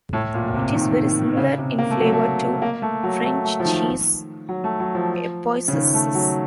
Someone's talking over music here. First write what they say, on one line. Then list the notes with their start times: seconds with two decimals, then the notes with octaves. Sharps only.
It is very similar in flavor to the French cheese Epoisses.
0.13 A2
0.34 A#2
0.48 A#2
0.54 C3
0.75 D#3
0.91 D#3
1.22 D#3
1.37 C#3
1.58 C3
1.78 A#3
1.90 A3
2.01 F#3
2.12 A3
2.62 A#3
2.82 A3
3.03 F#3
3.24 A3
3.44 A3
3.60 F3
3.65 D#3
4.49 F#3
4.64 A3
4.80 F#3
4.95 F3
5.68 C#3
5.73 D#3
5.94 A3
6.15 F#3